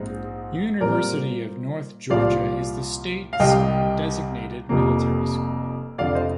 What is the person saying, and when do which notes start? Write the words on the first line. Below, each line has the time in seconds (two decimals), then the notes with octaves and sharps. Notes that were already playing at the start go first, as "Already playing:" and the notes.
University of North Georgia is the state's designated military school.
Already playing: A#1 G#2 C4 D#4
0.81 A#2 G3 C4 A#4 D5
2.10 C2 A#2 F3 D5 F5
3.33 F5
3.40 C2 C3 G3 D#5 G5
4.69 F1 F2 C3 F3 A#3
5.98 F1 F2 D3 F3 D5 F5
6.15 C5 D#5